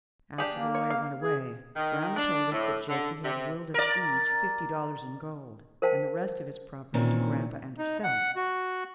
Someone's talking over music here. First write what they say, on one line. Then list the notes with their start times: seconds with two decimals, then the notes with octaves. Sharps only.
After the lawyer went away, grandma told us that Jakie had willed us each fifty dollars in gold, and the rest of his property to grandpa and herself.
0.38 D4 G4 G#4
0.54 A#3
0.75 C#5
0.90 F5
1.22 G#4
1.76 D#3
2.16 D4
2.51 A2
2.88 D3
3.22 C3
3.74 A#4 D5
5.82 A#4 C5 F5 G5 A5
6.94 A#2 D#3 E3 C4 C#4
7.78 D#4
8.04 F#5
8.36 F#4